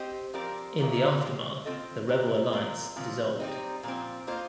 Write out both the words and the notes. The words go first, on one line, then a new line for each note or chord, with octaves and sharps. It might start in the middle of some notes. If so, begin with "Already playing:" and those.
In the aftermath, the rebel alliance dissolved.
Already playing: C4 G4 C5 D#5
F3 C4 G4 A#4 D5
C3 D#3 G3 A#3 F4
A2 F3 C4
C4 F4 A4 D#5
G3 C4 G4 A#4
C4 F4 A#4
A#2 F3 C4
G3 C4 D#4
A#2 F3 C4
A#3 F4 C5 D#5